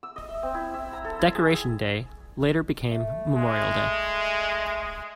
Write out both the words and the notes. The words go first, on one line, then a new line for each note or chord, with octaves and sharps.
Decoration Day later became Memorial Day.
E6
D#5
E5
C4
E4
E5
A#5
A4
E4
G#4
A3
G#3